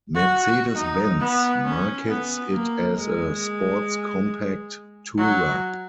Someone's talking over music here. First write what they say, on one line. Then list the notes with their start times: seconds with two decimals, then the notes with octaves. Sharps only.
Mercedes-Benz markets it as a sports compact tourer.
0.15 F#4
0.45 F#4
0.75 D#4
1.20 B3
1.64 C#4
2.07 B3
2.52 A#3
2.97 G#3
5.18 F#3